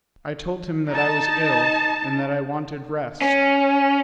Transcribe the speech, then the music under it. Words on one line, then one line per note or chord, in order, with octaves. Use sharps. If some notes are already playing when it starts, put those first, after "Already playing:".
I told him that I was ill, and that I wanted rest.
D#4 A5
C#4